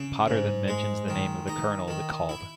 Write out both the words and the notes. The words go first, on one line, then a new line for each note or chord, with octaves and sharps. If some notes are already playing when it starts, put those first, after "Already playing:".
Potter then mentions the name of the colonel that called.
Already playing: C#3
G#2
G#3
D#3
D#4
D#3
E4